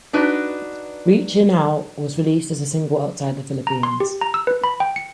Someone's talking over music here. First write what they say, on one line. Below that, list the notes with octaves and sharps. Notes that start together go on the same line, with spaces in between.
"Reachin' Out" was released as a single outside the Philippines.
D4 D#4 F#4 B4
A#5
C6
G4
A#5
E6
B4
B5
G5
C#7